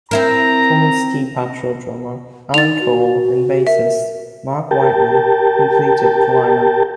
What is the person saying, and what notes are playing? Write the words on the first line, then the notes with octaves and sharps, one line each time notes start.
Former Ski Patrol drummer Alan Cole and bassist Mark Whiteley completed the lineup.
C4 E4 A#4 A#5
D#4 A6 F7
F#4
A#4 E5
G4 A#4 G5 A5